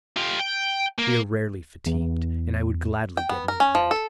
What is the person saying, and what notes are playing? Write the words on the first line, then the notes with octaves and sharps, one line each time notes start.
We are rarely fatigued, and I would gladly get me to bed.
F4 G4
G5
A#3
E2
G5
B3
A#4
C#4
F3
A4